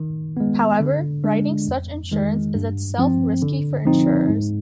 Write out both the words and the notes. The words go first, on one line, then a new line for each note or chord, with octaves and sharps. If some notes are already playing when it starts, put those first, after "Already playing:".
However, writing such insurance is itself risky for insurers.
Already playing: D#3
G#3 B3
D3
G#3 D4
F2
D#3 G#3
G2
F3 C4
D3
F3 C4 D#4
G#2